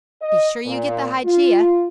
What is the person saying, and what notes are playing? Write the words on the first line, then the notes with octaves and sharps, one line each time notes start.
Be sure you get the Hygeia.
D#5
A#2
F4